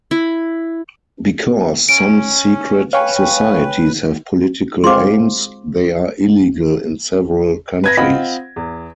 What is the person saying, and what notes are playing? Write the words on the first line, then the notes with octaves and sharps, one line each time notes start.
Because some secret societies have political aims, they are illegal in several countries.
E4
C#4 D7
B4 C#5 F5 G5 G#5 C#6
G#3 C4 F4 C6 D6
B4 G#6 A#6
C4 F4 D#5 F#5 B5
E2